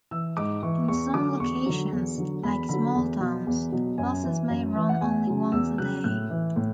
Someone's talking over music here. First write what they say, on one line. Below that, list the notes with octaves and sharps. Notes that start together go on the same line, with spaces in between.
In some locations, like small towns, buses may run only once a day.
E3 E6
G#2 D6
E3 C#6
E2 C#6
D3 F#3 D6
E2 C#6
D3 F#3
E2
D3 F#3
E2 B5
D3 F#3 B5
E2
B2 F#3
E2
B2 F#3
F#2 G#5
E3
F#2
E3
F#5
E2 G#5
C#3 F#3
E2 E6
C#3 F#3 F#6
A2 F#6
E3
A2